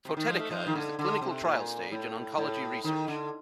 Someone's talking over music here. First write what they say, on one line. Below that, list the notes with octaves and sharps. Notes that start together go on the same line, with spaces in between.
Photetica is in the clinical trial stage in oncology research.
C3
D#3
F3
A3
F3
D#3
D3
D3
C3
A#2
A2
A2
D#3
D3